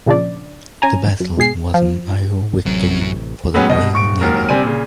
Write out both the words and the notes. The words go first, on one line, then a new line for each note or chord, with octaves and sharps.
The battle was a major victory for the Royal Navy.
A#2 C#3 F3 D4 D5
C#4 G#5 A#5
F#2
G#2 B2 G#4 C7
F3
A1 F#2 C3 F#3
A2 F#3 G#3 B3 C#4
C2 B2 D#5
D#1 C#6 D7
F#1 D#2 G#2 F#3 A#4
C3 G3 C4 D4 G#5 D#7
A#2 C#3